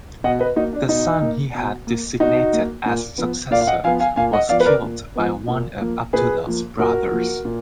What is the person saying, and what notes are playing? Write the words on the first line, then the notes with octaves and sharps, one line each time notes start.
The son he had designated as successor was killed by one of Abdullah's brothers.
B2 D#5 F#5
B4 D#5
A#3 D#4 F#4
D4
B2 D#4
A#3
B2
A#3
B2 D#4 F#4
A#3
A#2
F3 B3
A#2 D5 F5
F5
D#5 F#5
F3 B3 F5 G#5
F5 G#5
A#2 F5 G#5
D#5 F#5
F3 B3 D5 F5
B4
A#4 D5
A#2
F3 B3
A#2
F3 A#3
A#2 G#4 B4
F3 A#3
A#2 F#4 A#4
F3 A#3
A#2